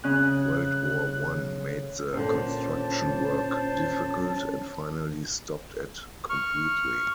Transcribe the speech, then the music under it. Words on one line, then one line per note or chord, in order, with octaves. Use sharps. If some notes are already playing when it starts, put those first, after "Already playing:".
World War One made the construction work difficult, and finally stopped it completely.
C#3 C#4 F#6
A#2 D3 C#4 C5 A5
C#6 F6